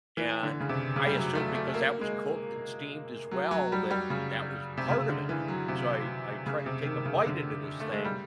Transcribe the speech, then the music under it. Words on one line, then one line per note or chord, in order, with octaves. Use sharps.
and I I assumed because that was cooked and steamed as well that that was part of it, so I I try to take a bite into this thing,
E3
D3
C#3
C3
C#3
G3
F#3
A3
A3
A#3
G#3
F#3
F#3
G3
G3
C#3
C3
C#3
D3
E3
F#3
C3
C#3
C3
D#3
C#3
D3
A3
G#3
G3